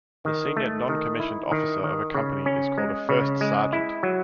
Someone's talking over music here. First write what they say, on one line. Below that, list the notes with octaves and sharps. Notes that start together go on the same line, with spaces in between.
The senior non-commissioned officer of a company is called a first sergeant.
D#3
A3
D#3
E4
D#3
D#3
C#3
C#4
G#3
C#3
G#3
E4
F#3